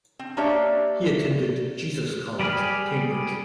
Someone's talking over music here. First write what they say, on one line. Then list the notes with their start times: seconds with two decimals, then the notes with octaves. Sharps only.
He attended Jesus College, Cambridge.
0.19 C4
0.37 A#3 D4 G4 C#5 D5 E5
2.39 G3 G4 G#4 B5 F6